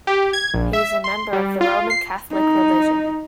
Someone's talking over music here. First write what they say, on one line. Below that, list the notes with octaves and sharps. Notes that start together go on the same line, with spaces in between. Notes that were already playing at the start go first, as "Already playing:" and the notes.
He is a member of the Roman Catholic religion.
G4
G#6
A#1
E5
C6
G3
F4
C7
D#4